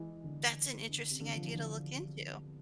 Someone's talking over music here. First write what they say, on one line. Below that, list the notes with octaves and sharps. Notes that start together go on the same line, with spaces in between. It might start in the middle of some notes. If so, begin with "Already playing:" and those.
That's an interesting idea to look into.
Already playing: E3 G#3
D3
D3
C3
D3
F3
E3
D3